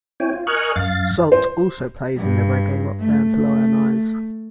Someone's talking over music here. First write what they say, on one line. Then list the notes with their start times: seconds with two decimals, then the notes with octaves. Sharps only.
Sult also plays in the reggae rock band Lionize.
0.20 C4 E4 C#5 G5 G#5
0.33 F4
0.47 A#4 D#5 G#5 C#6 F6 F#6
0.76 F#2 F5 A6
1.32 C5
2.17 G2
3.01 A3